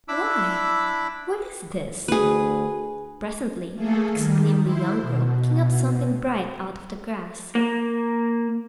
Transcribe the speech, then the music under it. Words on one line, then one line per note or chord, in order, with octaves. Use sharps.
"Why, what is this?" presently exclaimed the young girl, picking up something bright out of the grass.
D4 E4 B5 D6 E6
D2 G#4 B4
A3 A#3 G#4 A4
D#3 G3
E4 C5
B2
A#3